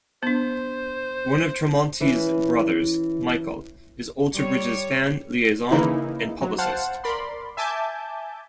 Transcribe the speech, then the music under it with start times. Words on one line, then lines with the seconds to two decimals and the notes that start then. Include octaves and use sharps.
One of Tremonti's brothers, Michael, is Alter Bridge's fan liaison and publicist.
0.23 B3 D4 C5
2.00 E3 C#4 E4 B4
4.32 G3 C#5
5.71 C#3 E3 A#3 D#4 E4
6.41 F#3
6.58 C5 F5 F#5 A5
7.04 A#4 D5 B5 C6
7.57 E5 G#5 A5 D6 G6